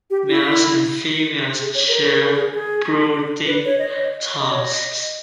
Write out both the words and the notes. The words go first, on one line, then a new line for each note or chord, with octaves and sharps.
Males and females share brooding tasks.
G4
E4
G#4
C#5
A#4
A#4
A#4
G#4
G#4
B4
C#5
D#5
C#5
D#5
C#5
D#5